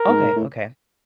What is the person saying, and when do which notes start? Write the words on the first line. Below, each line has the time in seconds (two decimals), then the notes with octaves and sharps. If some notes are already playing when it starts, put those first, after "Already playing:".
Okay, okay.
Already playing: A#4
0.09 G#2
0.36 A2